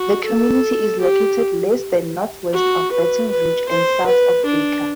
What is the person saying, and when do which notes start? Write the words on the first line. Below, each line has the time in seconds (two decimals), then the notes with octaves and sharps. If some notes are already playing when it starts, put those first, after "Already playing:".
The community is located less than northwest of Baton Rouge and south of Baker.
Already playing: F#4
0.24 A4
1.00 G4
2.53 F#4
2.92 B4
3.31 B4
3.69 C5
4.07 B4
4.45 D4